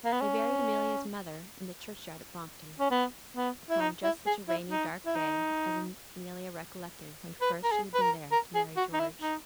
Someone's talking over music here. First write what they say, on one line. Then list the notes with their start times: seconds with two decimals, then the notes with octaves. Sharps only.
They buried Amelia's mother in the churchyard at Brompton, upon just such a rainy, dark day as Amelia recollected when first she had been there to marry George.
0.04 A#3
0.12 B3
0.21 C#4
2.79 C#4
2.91 B3
3.36 B3
3.70 E4
3.81 D#4
4.04 E4
4.26 G#4
4.48 E4
4.71 D#4
5.06 E4
5.16 D#4
7.41 B4
7.64 A#4
7.71 G#4
7.94 B4
8.01 A#4
8.32 A#4
8.54 G#4
8.76 F#4
8.93 D#4
8.99 E4
9.21 D#4